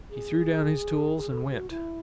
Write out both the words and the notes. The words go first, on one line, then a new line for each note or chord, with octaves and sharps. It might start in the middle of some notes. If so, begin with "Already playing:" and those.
He threw down his tools and went.
G#4
G#4
A4
G#4
F#4
E4